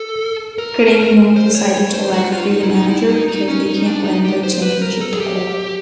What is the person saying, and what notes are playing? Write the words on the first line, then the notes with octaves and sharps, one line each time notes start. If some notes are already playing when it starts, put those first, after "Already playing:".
Gremio decided to let free the manager, because they can't win the championship title.
Already playing: A4
A#4
C5
C#5
C#5
C5
F#4
F4
D#4
E4
D#4
E4
D#4
D#4
C#4
D#4
D4
D#4
G4
C5
B4
A#4
A4
G#4
G4